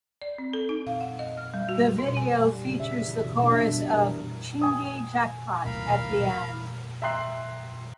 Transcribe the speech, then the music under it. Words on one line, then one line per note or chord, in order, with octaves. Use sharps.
The video features the chorus of "Chingy Jackpot" at the end.
D5
C4
A4
D#4
F5
F#5
D#5
F6
G3
F#4
B2
G#5
G3
C#3
E5
E3
B2
D4
E5
G3
A#4
E3
G#5 D#6
D#1 B1 A2 A#4 F5 B5
E5 G5 A#5 C6 F#6 C7